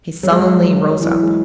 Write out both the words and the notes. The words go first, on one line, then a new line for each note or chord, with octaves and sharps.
He sullenly rose up.
F#3
G#3
F#3
F#3
E3
E4
G#3